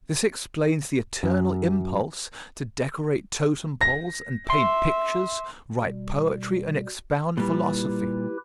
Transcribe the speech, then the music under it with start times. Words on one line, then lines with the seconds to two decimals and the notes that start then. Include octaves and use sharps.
This explains the eternal impulse to decorate totem poles and paint pictures, write poetry and expound philosophy.
1.23 F#2
3.81 A#6
4.50 E5 C6
5.80 B2 G3
7.38 A#2 G3 E4 G4 B4